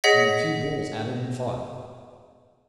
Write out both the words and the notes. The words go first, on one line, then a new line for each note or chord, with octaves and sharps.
And the two bulls at it and fought.
G#4 C#5 D#5 F#5 A#6 B6